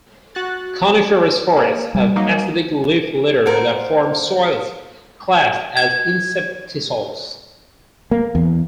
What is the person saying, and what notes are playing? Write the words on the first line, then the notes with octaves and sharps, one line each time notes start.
Coniferous forests have acidic leaf litter that form soils classed as inceptisols.
F#4 F#6 A6
A#3
G3
F#3 A#3 D#4
A#4 C5 F5 F#5
G#6
A#3
E2